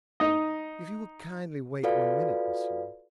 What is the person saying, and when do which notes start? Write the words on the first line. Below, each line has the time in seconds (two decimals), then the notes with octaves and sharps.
'If you will kindly wait one minute, Miss Yule.
0.20 D#4 D#5
1.83 F4 F#4 A4 B4 D5 F5